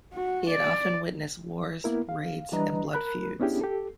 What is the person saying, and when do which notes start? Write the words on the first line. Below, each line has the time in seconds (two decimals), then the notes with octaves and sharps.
He had often witnessed wars, raids, and blood-feuds.
0.13 F#4
0.50 D5
1.84 A#3 B3 E4 A#4
2.09 F5
2.52 E3 G3 D4 B4 D#5 A#5
2.93 A#4 B5 F#6
3.40 B3 C#4 D4 E4 G4 G#4
3.61 G4 A4